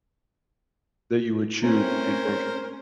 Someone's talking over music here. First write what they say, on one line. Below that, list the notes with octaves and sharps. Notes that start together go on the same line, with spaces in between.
that you would choose, do you think?
A3 C4 C#4 A#4 C5